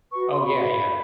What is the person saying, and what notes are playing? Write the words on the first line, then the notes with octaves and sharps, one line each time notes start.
Oh, yeah, yeah.
F#4 B4 C#6
C6
B5
F#4 B4